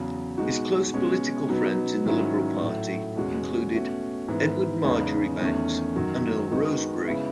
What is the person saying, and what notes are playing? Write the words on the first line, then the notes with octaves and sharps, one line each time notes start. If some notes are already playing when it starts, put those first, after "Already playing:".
His close political friends in the Liberal party included Edward Marjoribanks and Earl Rosebery.
Already playing: E2 C#3 F#3
B2 G#3 D#4 F#4
B2 G#3 C#4
B2 F#3 B3 D#4
G#2 D#3 F#3 C#4 E4
A2 F#3 A3
E2 B2 G#3 C#4 F#4
B2 A3 C#4 F#4
G#2 E3 B3
E2 C#3 G#3 B3 D#4
E2 D#3 A3 C#4
F#2 D#3 F#3
D#3 G#3 B3 D#4 F#4
C#3 G#3 B3 E4